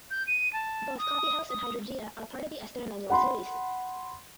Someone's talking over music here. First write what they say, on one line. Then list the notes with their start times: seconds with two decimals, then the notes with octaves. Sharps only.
Both "Coffee House" and "Hydrangea" are part of the Esther Emmanuel series.
0.11 G6
0.27 D#7
0.53 A5
0.98 D#6
1.49 D#6
3.10 F#5 B5 C6